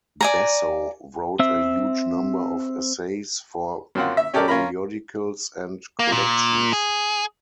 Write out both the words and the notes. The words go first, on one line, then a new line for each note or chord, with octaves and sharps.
Basso wrote a huge number of essays for periodicals and collections.
D5 G#5 A#5
C4 E5
F#2 A#3 C4 F4 F#5
E5
C#4 G4 A4 A#4 D5
C#4 F4 A#4 A#5 B5
A#3
A#2
G#4